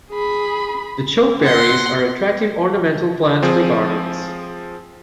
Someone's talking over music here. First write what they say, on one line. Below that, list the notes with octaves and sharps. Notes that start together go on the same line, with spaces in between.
The chokeberries are attractive ornamental plants for gardens.
G#4 B5
F#5 C6
F3 C4 G#4